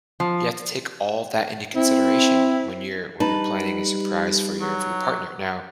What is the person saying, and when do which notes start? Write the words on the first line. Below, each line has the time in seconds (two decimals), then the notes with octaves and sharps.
You have to take all that into consideration when you're when you're planning a surprise for your for your partner. Now,
0.20 F3
1.76 C4 E4
3.20 G3 D#4 B4 A5
4.62 F#3